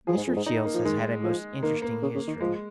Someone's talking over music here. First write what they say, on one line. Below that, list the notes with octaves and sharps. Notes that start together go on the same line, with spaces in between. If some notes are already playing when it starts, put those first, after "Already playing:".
Mr. Childs has had a most interesting history.
F3 G#4
G#2
F2
G#2
D#4
A#3
F3
D#3 G#3
F3
D#3 A#3
A#3
C#3
C#3
D#3
F3 G#3